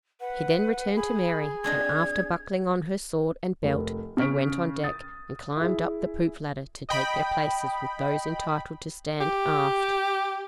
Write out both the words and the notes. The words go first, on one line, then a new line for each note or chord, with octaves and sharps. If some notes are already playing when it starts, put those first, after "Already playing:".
He then returned to Mary, and after buckling on her sword and belt they went on deck and climbed up the poop ladder to take their places with those entitled to stand aft.
B4 F#5
G#4 B5
C4 D4 D#5 G#6
F1 A#4
C#3 C#4 C#6 F6 B6 D7
D#6 A6
E4 G#4
D#5 G5 B5
G4